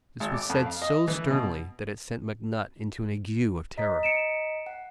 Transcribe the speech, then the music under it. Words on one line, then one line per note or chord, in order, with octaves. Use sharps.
This was said so sternly that it sent McNutt into an ague of terror.
G#1
D6
F2
F5
D#5
E3
B2
D#5 A#5 B6
C#7 D7 E7
F#5